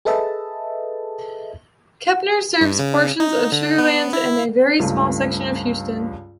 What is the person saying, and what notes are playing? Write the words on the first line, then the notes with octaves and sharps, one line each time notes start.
Kempner serves portions of Sugar Land and a very small section of Houston.
G#4 A4 B4 D#5 E5 A5
G2
C#3
D#4
D3
B3
E4
C#2 G2 A3